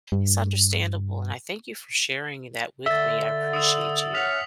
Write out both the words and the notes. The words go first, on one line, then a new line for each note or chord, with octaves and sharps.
It's understandable, and I thank you for sharing that with me, I appreciate you.
G2
D3 E5 A6 G7
D#6 E6
C#4 F#5 D#6 F6 B6 F7